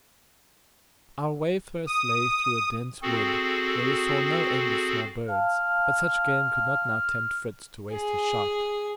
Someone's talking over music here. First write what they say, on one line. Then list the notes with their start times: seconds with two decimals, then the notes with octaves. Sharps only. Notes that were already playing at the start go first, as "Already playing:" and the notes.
Our way first lay through a dense wood, where we saw no end of small birds, but such game could not now tempt Fritz to waste his shot.
1.88 D#6
3.02 C4 F#4 G#4 A4
5.28 F5 A5 F6
7.92 G#4